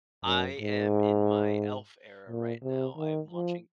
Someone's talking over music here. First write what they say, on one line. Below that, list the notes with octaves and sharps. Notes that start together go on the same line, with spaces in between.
I am in my Elf era right now. I'm watching,
F#2
G#2
A#2
C3
D#3
F3